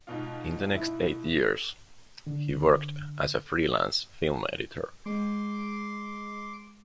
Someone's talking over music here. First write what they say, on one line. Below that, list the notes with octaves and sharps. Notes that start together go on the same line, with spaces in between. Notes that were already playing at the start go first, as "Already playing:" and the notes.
In the next eight years, he worked as a freelance film editor.
G#2 B2 F4
E4
D3
G#3 C6 D6